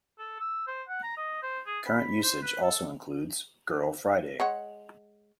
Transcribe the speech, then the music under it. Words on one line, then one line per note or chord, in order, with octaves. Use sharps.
Current usage also includes "Girl Friday".
A4
E6
C5
F#5
A#5
D#5
C5
G#4
B5
C5
B4
A4
G#3 C#5 F#5